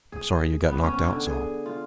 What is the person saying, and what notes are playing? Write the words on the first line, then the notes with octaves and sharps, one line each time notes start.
"I'm sorry you got knocked out so."
G#4
B3
C#4
D3
G#4
F4